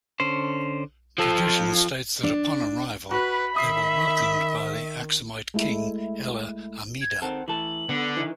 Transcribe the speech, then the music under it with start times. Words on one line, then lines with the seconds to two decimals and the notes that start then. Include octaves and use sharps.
Tradition states that upon arrival they were welcomed by the Axumite king Ella Amida.
0.20 D3 C#4 C5
1.18 F3 A4
2.23 D4
3.11 F#4 B4 B5
3.56 D#3 E5 D#6 C7
5.54 G#3 A3 E4
7.01 G#6
7.22 D#3 C4 A4 F#5
7.48 E3 A3 A4 F#7
7.89 D3 B3
8.17 D#3 E3